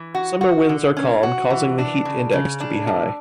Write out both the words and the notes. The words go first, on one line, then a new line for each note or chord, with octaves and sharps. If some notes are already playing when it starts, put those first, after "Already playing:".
Summer winds are calm, causing the heat index to be high.
Already playing: E3
F#4
F#4
D3
C#4
F#4
E3
D4
C#3
C#3
D4
A2